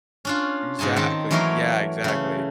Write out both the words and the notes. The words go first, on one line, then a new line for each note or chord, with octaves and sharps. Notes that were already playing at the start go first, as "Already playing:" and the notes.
Exactly, yeah, exactly.
C#4 D4 F4
G#2 C#3 D#4 G#5 A5
D#3 C4 A5
E3 F#3 A3 A#4 C#5 C6
C#3 A3